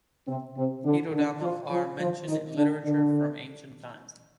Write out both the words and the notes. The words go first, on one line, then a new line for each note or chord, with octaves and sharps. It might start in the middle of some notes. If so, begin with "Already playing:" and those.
Hitodama are mentioned in literature from ancient times.
C3 C4
C3 C4
D3 D4
D3 D4
F3 F4
F3 F4
F3 F4
D#3 D#4
D3 D4
D3 D4